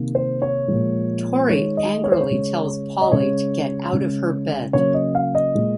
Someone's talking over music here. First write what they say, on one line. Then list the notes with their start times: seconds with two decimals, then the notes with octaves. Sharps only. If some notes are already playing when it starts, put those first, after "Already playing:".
Tori angrily tells Paulie to get out of her bed.
Already playing: C3 D#3 A#3
0.15 C5
0.42 C#5
0.68 A#2 F3 G#3
1.50 D#3 G#3 C#5
1.77 D#5
2.04 C#5
2.12 C5
2.21 C#5
2.31 C#3 G#3
3.01 D#5
3.12 C#3 G#3 C#5
3.93 C#3 G#3
4.73 C#3 F#3 A#3 C#5
4.94 D#5
5.15 F5
5.35 D#5
5.55 A#2 G#3